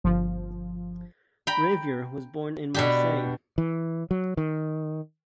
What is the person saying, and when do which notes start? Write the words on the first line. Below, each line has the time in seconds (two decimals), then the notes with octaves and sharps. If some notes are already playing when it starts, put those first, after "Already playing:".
Ravier was born in Marseille.
0.04 G1 F3
1.47 G5 A#5 B5
2.74 B2 D4 G4
3.58 E3
4.11 F#3
4.37 D#3